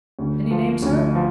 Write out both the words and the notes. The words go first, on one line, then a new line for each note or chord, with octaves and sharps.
"Any name, sir?"
D2
F3
D2
F3